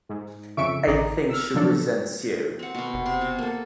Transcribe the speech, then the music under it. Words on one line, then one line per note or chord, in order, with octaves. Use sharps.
I think she resents you.
G#2
F2 C#3 E5 C#6 D7
A1 D#3 D5 D#5 A#5
E6 F6
C#3 F3 F#3 D4 A4
C4 F#5
B2 B3
F1
C3 C6
B2
A#3 A4